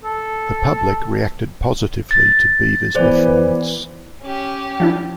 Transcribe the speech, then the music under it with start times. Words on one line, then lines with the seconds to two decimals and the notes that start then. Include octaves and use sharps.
The public reacted positively to Beavers' performance.
0.04 A4
2.11 A6
2.95 E3 B3 G#4 C5 D5
4.22 C#4 G4
4.80 F3 D4 E4